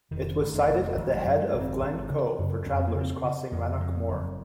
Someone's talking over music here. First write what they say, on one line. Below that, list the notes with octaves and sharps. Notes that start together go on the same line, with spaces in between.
It was sited at the head of Glen Coe for travelers crossing Rannoch Moor.
F1 D#3
F1
F1
G#1 F3
F#3
F#2
G#3
G#1
C4
G#1 C4
C#3
F#2
F2 C#4
C4
A#3
C#3
C4
C#3
F2
F2
F#1